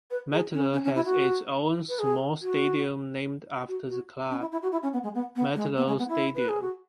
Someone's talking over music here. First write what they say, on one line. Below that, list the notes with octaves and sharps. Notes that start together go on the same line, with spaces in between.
Metalurh has its own small stadium named after the club, Metalurh Stadium.
B4
G#4
C#4
C#4
C#4
E4
F#4
B4
G#4
F#4
F#4
F#4
C#4
E4
E4
F#4
E4
C#4
B3
G#3
B3
B3
G#3
B3
G#3
B3
E4
B4
G#4
F#4